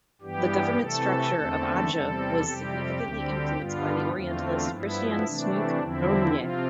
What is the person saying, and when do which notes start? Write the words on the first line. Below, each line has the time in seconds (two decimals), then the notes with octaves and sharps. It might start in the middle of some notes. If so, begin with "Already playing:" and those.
The government structure of Atjeh was significantly influenced by the Orientalist Christiaan Snouck Hurgronje.
0.22 G2 E3 G3 B3 G4
0.78 C3 E3 A3 A4
1.34 E2 D3 A3 C4
1.89 E2 C3 G3 C4
2.45 F2 C3 G3 C4 G4
3.01 D2 D3 G3 C4
3.56 G2 D3 G3 B3 F4
4.12 E2 D3 A3 C4 F4
4.68 G2 F3 B3 E4
5.24 C3 E3 A3 D4
5.79 E2 D3 F3 C4 E4
6.35 C3 F3 C4 F4